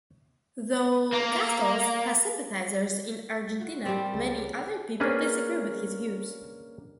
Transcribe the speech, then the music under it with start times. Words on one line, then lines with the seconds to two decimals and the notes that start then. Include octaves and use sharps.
Though Castells has sympathizers in Argentina, many other people disagree with his views.
1.13 A#3
3.59 F4 F#4
3.86 G3 C4 G4 A#4
4.14 C#2 A6
5.00 A#3 C#4 D4 G#4 B4